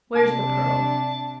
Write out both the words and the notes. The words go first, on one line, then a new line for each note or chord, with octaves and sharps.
Where's the Pearl?
C3 D4 A5